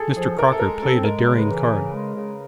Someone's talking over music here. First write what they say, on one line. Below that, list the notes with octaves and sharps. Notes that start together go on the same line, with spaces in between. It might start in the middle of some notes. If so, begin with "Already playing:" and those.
Mr. Crocker played a daring card.
Already playing: G#4 A4
F3 G#4
C3 A#4
A4
G#3 A#4
C4 A4
G#3 A#4
C#3
B4
E3
C#3
G#3
C#3